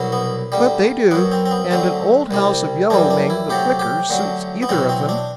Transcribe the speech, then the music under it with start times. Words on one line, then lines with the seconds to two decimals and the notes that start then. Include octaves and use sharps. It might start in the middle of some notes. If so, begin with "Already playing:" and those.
But they do, and an old house of Yellow Wing the Flicker suits either of them.
Already playing: C2 B2 F#3
0.12 B3
0.52 D2 D3 G3
1.11 F#2 F#3 B3
1.31 C4
1.46 C4
1.51 B3
1.71 D2 D3 F#3 C4
2.31 C2 C3 G3
2.90 F#2 E3 G3 D4
3.10 D4
3.30 E4
3.50 D2 C3 F#3 G4
3.79 G4
4.09 D2 D3 F#3
4.62 B3
4.69 E2 B2 F#3 C4
4.89 C4
5.09 D4